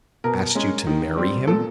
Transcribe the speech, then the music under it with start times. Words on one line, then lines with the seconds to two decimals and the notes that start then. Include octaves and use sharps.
"Asked you to marry him?"
0.24 B2 A#4
0.55 G#3 C#4
0.87 D#3
1.17 G3 C4
1.47 A#2 A4